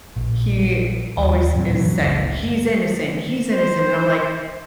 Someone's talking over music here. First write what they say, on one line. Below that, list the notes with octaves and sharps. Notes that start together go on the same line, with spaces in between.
he always is saying, "He's innocent. He's innocent." And I'm like,
A#1
D#2
F#2 A#2 F#3 C4
C3 E3 F#3
F#1 C#2
C5